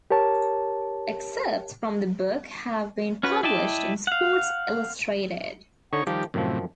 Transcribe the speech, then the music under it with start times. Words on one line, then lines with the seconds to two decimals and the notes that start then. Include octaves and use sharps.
Excerpts from the book have been published in "Sports Illustrated".
0.10 G4 A#4 C#5 A5
3.23 C#4 F#4 B4
3.43 E4 D5 D#5 G5 A5
4.07 F5 F#5
5.93 D3 D#4 C#5 C#6
6.07 D#3 F3 G3 G4
6.34 F#2 A2 C3 D#3 F3